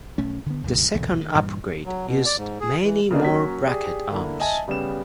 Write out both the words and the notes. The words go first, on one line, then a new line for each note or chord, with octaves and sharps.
The second upgrade used many more bracket arms.
B1 A3 C#4
D3 B3
C#2 G2 B2 D#3
B1 E2 A#2 D3
D#3
G2 A#2 E3
F#3
B2
D5
G#2
G#4
E3
C#3 F#3 A#3 B3 D4 D#4
F#3 A#3 C#4 B6
G4 G#4 D5
D3 A#3 E4
D#5 E5 G#5 A5
C#3 G3 B3 E7